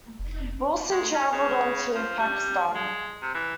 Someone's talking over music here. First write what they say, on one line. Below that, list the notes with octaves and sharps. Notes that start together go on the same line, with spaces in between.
Wilson travelled on to Pakistan.
F1
G#3
C#4
C#3
F3
G3
G#3
C3
E3